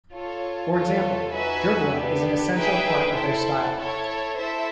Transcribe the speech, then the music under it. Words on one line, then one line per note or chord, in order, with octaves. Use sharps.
For example, dribbling is an essential part of their style.
F4 A4 C#5
F4 A4 C#5
D#4 F#4 B4 E5 G#5
B3 D4 G4
D#4 G#4 B4 E5 G5
E4 A4 C5
E4 A4 C#5
E4 A4 C5 E5